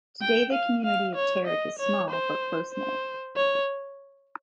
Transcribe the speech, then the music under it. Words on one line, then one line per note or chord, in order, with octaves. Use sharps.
Today the community of Terrick is small, but close-knit.
G5
F5
F5
C#5
D#5
C#5
C5
C5
C#5